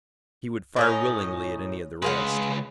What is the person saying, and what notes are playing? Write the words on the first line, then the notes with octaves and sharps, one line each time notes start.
He would fire willingly at any of the rest.
A2 C#4 D#4
C#2 G#3 B4 F5 F#5